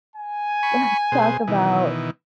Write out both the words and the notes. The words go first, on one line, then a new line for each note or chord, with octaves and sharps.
let's talk about
G#5
B5 C#6
B2 G#4 C5
B2 D#3 E3